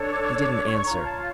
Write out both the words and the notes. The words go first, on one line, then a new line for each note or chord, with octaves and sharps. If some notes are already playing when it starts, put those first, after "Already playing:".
He didn't answer.
Already playing: D4 A4 C#5
D6
D6
D6
C#6
C#6
F4 C#5 A#5
A5